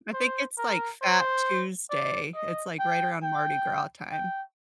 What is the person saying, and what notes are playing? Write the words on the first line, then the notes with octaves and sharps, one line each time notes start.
I think it's, like, Fat Tuesday. It's, like, right around Mardi Gras time.
C5
A#4
C5
D5
D#5
G5
G5
G5